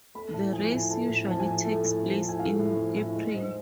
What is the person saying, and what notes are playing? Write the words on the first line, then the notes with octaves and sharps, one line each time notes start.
The race usually takes place in April.
A3 B5
A2 A5
F3 G#5
A2 G#5
A3 A5
A2
F3 A5
G#5
A2
A3 A5
A2
F3
A2
G#5
A3 F5
A2
F3
A2
G#3
G#2